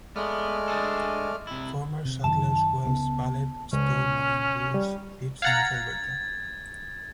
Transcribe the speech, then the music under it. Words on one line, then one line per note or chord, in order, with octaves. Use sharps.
Former Sadlers Wells Ballet star Maureen Bruce lives in Yelverton.
G#3 A3 B3 D5 F6
D4 G#4 A4
C3 E4
C3
F#2 D#3 A5
C#2 C#3 B3
C#2 C#4
G3
F5 F#5 A#5 G#6 A6